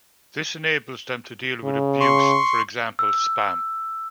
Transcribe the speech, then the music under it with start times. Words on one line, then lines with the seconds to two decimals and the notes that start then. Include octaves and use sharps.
This enables them to deal with abuse, for example spam.
1.64 C#3
2.00 C6 C#6
2.99 E6